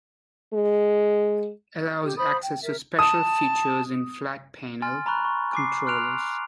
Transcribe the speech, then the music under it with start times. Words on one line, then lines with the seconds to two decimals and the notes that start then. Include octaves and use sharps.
Allows access to special features in flat panel controllers.
0.54 G#3
2.03 G4
2.17 C5 B5 D#6
2.44 G5
2.62 A#4 E5
2.99 A5 D#6
4.82 G#5 C6 F6 A6
5.06 A#5 B5 C#6 F#6
5.25 C#6
5.53 G#5 D6 C7
5.86 C6 F6 F#6 D7 F7